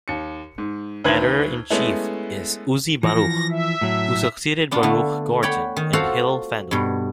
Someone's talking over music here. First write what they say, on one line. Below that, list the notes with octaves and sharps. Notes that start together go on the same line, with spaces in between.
Editor-in-chief is Uzi Baruch, who succeeded Baruch Gordon and Hillel Fendel.
D#2 C#7
G#2
D2 D#3 B4 C5 G#6 F#7
G#3 A3 B3 C#4 E4
E3 F3 A#6
E5
A2 F#3
B3 D4 F4
D3 A3
C#5 D5 F#5 G5 B5
D#3
F4 F#4 A4 C5 F5 F#5
G2 B2